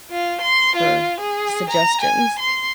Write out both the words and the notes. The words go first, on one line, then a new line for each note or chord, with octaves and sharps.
for the suggestions.
F4
C6
F4
G#4
A#5
G#5
C6